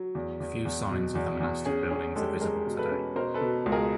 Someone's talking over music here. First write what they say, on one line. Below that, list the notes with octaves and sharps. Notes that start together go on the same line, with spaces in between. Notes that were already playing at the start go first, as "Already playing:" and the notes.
Few signs of the monastic buildings are visible today.
Already playing: F#3
E2
E2
E2
B2
E2
E2
C#4 G#4
C#4 G#4
G#3 G4 A4
G#3 G#4 A#4
B2
A4 B4
C#4
B2 A#4 C5
A4 B4
B2
C#2
G#4 A#4